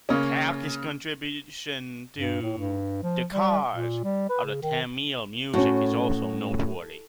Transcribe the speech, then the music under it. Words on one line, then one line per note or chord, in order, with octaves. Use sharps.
Kalki's contribution to the cause of Tamil music is also noteworthy.
C#3 A#3 C#4
G2
A2
G2
F3
G3
A#2
G3
B4
C#3
D#3
A2 C#4 F#4